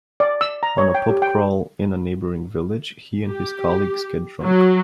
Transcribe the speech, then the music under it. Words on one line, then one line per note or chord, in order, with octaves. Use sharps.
On a pub crawl in a neighbouring village, he and his colleagues get drunk.
D5
E6
A#5
C#5
G5
G4
G5
G4
F#3